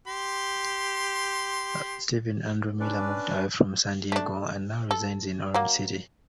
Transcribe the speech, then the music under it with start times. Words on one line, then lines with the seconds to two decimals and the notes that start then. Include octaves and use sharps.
Steven Andrew Miller moved away from San Diego and now resides in Orange County.
0.07 G4 C6
2.80 C#4 D4 B4 D5
4.12 A3 D4
4.91 A4
5.54 F#3 A#3